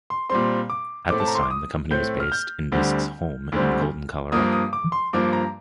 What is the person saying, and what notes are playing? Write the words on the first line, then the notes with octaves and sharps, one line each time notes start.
At this time, the company was based in Bisque's home in Golden, Colorado.
C6
A#2 G3 C4 C6
D6
A2 A3 C4 D6
A5
A#5
C6
D6
D#6
A2 A3 C4 G6
F6
G6
D2 D3 G3 C4
D2 D3 G3 C4
G2 F3 A#3 D#6
D#6
D6
C6
G2 F3 A#3 D6
A#5